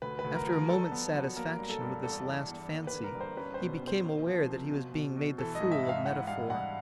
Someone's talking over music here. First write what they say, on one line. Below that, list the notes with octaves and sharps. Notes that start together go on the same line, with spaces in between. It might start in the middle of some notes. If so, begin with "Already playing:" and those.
After a moment's satisfaction with this last fancy, he became aware that he was being made the fool of metaphor.
D2 B4
B4
D2
A#4
F3
A#4
G2 A4
B3
F#3
A#3 A#4
G2
A4
G2
E2 A4
E3
E2
A#3
B4
D3
A#4
G2
C5
C#4 B4
C5
B2
B2
C5
A#3
F3
C3
B2
B2
B2
E3 A4
D#5
G#2
E5
G#2
F5
E3 F#5
G2 F5
G2 F#5